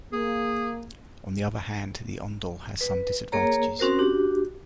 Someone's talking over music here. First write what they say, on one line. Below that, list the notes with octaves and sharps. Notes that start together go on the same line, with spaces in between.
On the other hand, the Ondol has some disadvantages.
A#3 G#4
B4
A#3 G#4 A#4 C#5 A#5
C4 C#4 F#4 A#4 C5
D4 F#4 G4